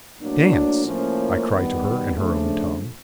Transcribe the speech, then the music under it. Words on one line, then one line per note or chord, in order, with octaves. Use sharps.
"Dance," I cried to her in her own tongue.
A2 F#3 A#3 D4
A2 F3 A#3 C#4
D#3 G3 B3
C#3 F3 A3 D4